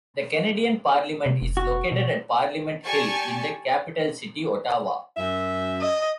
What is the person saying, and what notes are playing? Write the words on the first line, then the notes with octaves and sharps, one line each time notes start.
The Canadian Parliament is located at Parliament Hill in the capital city, Ottawa.
C3
F1
F#4
B2
G4 D5 G#5 A5 C#6 A6
F#2 E5
D#5